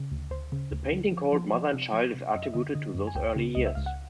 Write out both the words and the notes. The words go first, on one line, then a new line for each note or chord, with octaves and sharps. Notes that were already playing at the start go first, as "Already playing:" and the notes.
The painting called "Mother and Child" is attributed to those early years.
Already playing: C#3
D2
D2 C5
C#3
D2
D3
F3
F3
F3 D5
C3
F3
C3
F#2 D#5
E5
D3 D#5
D3 D#5
F#2
G#5
C#2 G5
C#3
C#2 D#5
E5
C#2 F5
F#5